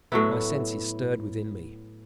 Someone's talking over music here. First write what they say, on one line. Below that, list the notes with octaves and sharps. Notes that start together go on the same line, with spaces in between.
My senses stirred within me.
A2 F#3 B3 E4